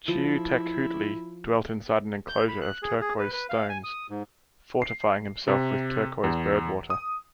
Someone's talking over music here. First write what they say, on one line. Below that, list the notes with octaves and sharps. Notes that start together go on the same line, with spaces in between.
Xiuhtecuhtli dwelt inside an enclosure of turquoise stones, fortifying himself with turquoise bird water.
F3 E4
G6
B5
F#6
G#4
G#4
B4
B4
F5
G#5
D#6
G#2
C7
C3
E2
D#6